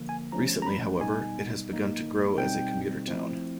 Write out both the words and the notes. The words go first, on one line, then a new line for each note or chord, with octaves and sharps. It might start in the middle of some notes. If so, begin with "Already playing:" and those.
Recently, however, it has begun to grow as a commuter town.
Already playing: D3 F3 A#3
G#5
F3 A3 C#4 A#5
A#5
B5
B2 G3 B3 D#4 G#5
A#2 F#3 A#3 D#4
B2 G3 C4 D#4 G5
F3 A3 C4 E4